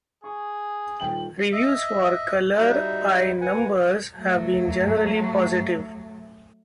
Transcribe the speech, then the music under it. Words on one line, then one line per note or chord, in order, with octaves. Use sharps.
Reviews for "Colour by Numbers" have been generally positive.
G#4 C#6
D#1 G5 F#7
D#5 E5
G3 D#4 F#4 E5
F#4 B4 F#5 G#5
F#3 A3